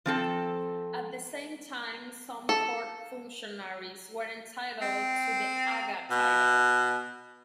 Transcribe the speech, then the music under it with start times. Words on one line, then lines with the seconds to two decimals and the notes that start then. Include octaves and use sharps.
At the same time some court functionaries were entitled to the "agha" title.
0.06 F3 C4 A4
2.49 A4
4.82 C4
6.11 B2